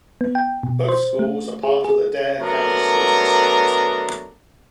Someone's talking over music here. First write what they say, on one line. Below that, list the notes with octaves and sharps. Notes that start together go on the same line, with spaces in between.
Both schools are part of the Dare County Schools district.
B3
G5
B2
C5
A3
G#4
G#4
F#3 A3 B3 D4 A#4